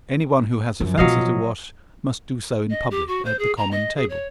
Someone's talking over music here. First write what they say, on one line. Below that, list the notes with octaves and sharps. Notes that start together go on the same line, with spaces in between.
Any one who has a fancy to wash must do so in public at the common table.
F#2 F3
B2 F3 F#3 D#5 F5
D#5
G4
F#4
C5
G#4
A#5
D#5
G#4
C#5